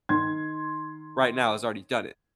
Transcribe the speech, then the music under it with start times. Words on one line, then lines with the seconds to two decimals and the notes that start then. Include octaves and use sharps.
right now has already done it.
0.09 D#3 C6 G#6